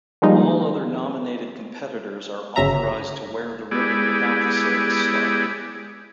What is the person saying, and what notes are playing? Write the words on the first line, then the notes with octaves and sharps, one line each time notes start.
All other nominated competitors are authorized to wear the ribbon without the service star.
D#3 F3 G3 G#3 A#3 D#4
G1 C#3 F#3 E5 A#5
G#3 B3 E4 G4 G#4 D5